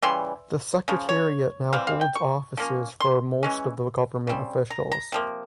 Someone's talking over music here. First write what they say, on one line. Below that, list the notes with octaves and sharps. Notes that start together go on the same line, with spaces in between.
The Secretariat now holds offices for most of the Government officials.
C#3 E3 G3 C6
C#3 F3
C#5
E3 G3 C4 F5
F5
G5
C#6
F3 A#3 C#4
C6
E3 G#3 C#4
C#3 G3 C4
A#5
A#5
C3 F3 A#3